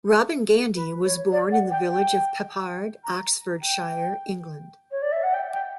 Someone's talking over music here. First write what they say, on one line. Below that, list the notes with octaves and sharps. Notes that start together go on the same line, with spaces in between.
Robin Gandy was born in the village of Peppard, Oxfordshire, England.
B4
C#5
D5
F#5
G5
G5
A#5
G5
C#5
D5
E5
F#5
G5
G5